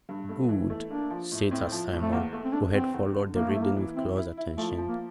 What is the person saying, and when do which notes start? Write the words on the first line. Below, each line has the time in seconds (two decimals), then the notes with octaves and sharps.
"Good!" said Sir Simon, who had followed the reading with close attention.
0.09 G2
0.29 A3
0.49 E3
0.70 A3
0.90 A#3 D4
1.10 F3
1.32 A2
1.51 A2 C4
1.71 F3
1.93 A2
2.02 A3
2.13 E2 A#3
2.33 A3
2.45 C4
2.53 A3 D4
2.73 E2 C4
2.94 E2
3.15 D3
3.35 A2 A#3
3.49 A3
3.55 E4
3.62 A#3
3.77 E3
3.96 C4 E4
4.17 E4
4.37 E4
4.58 F3 A3
4.78 F3
4.88 A#3